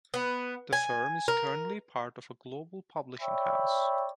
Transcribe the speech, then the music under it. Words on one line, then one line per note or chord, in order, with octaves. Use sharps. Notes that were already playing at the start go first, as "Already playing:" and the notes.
The firm is currently part of a global publishing house.
B3
G#5
A#4
C#5 D5 E5 G5 B5